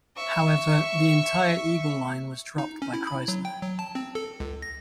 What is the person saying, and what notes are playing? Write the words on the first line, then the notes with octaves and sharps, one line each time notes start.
However, the entire Eagle line was dropped by Chrysler.
E5 C#6
D#4
C#4
E4
B5
F#3
G5
F#3
A5
C4
A4
C#2
A#6